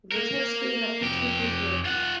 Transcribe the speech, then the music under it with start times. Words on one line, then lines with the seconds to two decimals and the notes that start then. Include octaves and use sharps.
Vertex figure p.q.-p.-q.
0.12 A#3 A#4
1.01 F2 G4
1.85 F4 F#5